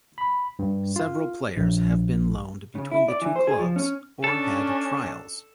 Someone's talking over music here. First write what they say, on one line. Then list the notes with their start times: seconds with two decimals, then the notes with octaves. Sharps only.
Several players have been loaned between the two clubs or had trials.
0.18 B5
0.59 G2
0.96 F4
1.57 A#1
2.75 C#3
2.91 E4
3.08 D5
3.22 E3
3.36 C5
3.47 G#4
3.59 F3
3.76 C#4
4.24 C#4 D4 A4